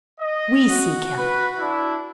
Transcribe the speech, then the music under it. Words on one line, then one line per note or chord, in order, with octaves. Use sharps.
We seek him.
D#5
F#4
B4
D4 E4